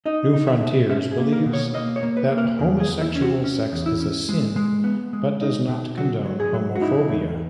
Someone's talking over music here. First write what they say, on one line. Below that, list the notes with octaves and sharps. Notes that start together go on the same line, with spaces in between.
Newfrontiers believes that homosexual sex is a sin, but does not condone homophobia.
D#4 D#5
D#4
E5
B2
C#4 E5
G#4
A#3
A#4
B2
C#5
A#3 D#5
C#5
A#3
B4
A#3
A#4
E2 A#4
G#4
E2
E4
C#4
F#4
C#4
E2
E4
C#4
G#3
G#3
B3
G#3
D#4
B2
F#3 F#4
F#3
G#4
F#3
F#4
D#4 E4
E2